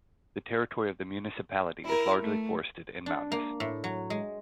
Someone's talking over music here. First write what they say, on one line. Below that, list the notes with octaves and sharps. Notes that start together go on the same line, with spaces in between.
The territory of the municipality is largely forested and mountainous.
E4 A#4
A3
D4
A#3
A2
F#3
G#3